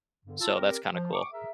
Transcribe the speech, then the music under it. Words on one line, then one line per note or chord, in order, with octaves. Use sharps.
So that's kinda cool.
E2 G2 D3
E4 F4 A5 E6
C4 G4 A#4
F3
C#6 D6
G#4 A#4 E5